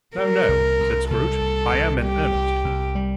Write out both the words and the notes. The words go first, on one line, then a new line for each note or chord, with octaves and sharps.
'No, no,' said Scrooge. 'I am in earnest.
G3 A#4
C2
C2
C2 A4
C2
C2
G3 G4
C2
C2
G3